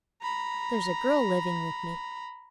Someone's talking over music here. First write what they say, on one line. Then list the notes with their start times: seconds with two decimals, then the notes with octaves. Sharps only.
'There's a girl living with me.
0.22 A#5 B5